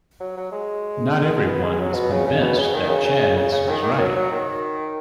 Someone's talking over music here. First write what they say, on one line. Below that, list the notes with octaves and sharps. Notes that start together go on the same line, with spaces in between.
Not everyone was convinced that Chas was right.
F#3
F#3
G#3
B3
G#3
F#3
B2
C#3
C#3
B2
C#3
D#3
C#3
C#3
C#3
C#3
D#3
D#3
F#3
F#3
D#3